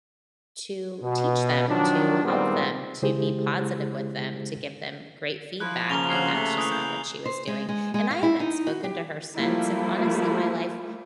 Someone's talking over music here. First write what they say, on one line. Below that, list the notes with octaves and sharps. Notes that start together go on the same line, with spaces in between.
to teach them, to help them, to be positive with them, to give them great feedback, and that's just not what she was doing. And I haven't spoken to her since, and, honestly, my life
B2
D#3 F3 F#3 D4
A#2 D#3 G3 G#3 B3 C4
C#3 G#3 E4 G4 G#4 C5
F3 E4 F#6
C#3 A#3 F7 G7
F#3 C7 F#7
C3 A3
E3 D#6 F#6
G6 F7
C5
G#3
G#3
G#3
F5
E4
D#4
F#4
G4
F3 G3 A3 A#3 E4